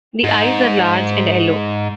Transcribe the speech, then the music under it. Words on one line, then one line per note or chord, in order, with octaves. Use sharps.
The eyes are large and yellow.
G#2